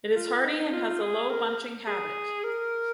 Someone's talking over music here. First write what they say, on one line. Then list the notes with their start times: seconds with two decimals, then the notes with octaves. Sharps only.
It is hardy and has a low bunching habit.
0.16 F4
0.44 D#4
0.73 F4
1.01 G#4
1.29 A#4
1.87 G#4
2.44 A#4